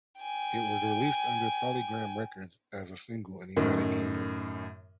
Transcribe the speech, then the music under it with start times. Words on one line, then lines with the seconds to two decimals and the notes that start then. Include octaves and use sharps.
It was released under PolyGram Records as a single in the United Kingdom.
0.21 G5 G#5
3.57 F#2 A2 D#3